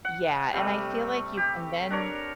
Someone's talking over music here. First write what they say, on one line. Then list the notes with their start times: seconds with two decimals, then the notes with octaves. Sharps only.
Yeah, and I feel like you can then
0.05 F#5
0.53 C3 G3 A3
1.37 G4
1.90 D4 A#4 C#5